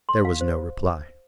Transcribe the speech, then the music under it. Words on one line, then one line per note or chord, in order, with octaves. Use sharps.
There was no reply.
C6
F5
C5